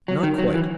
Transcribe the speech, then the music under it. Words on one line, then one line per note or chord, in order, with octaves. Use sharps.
Not quite.
F#3
D#3
F#3
E3